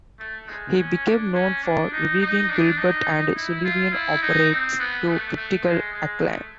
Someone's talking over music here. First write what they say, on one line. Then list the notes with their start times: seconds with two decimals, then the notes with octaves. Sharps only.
He became known for reviving Gilbert and Sullivan operettas to critical acclaim.
0.20 A3
0.48 G#3
0.77 C#4
1.06 D4
1.34 C#4
1.63 D4
1.92 D#4
2.20 D#4
2.49 D4
2.78 D#4
3.36 E4
3.64 F4
3.92 E4
4.22 D#4
4.50 C4
4.79 B3
5.08 A3
5.37 A3
5.65 G#3
5.93 G#3
6.22 A3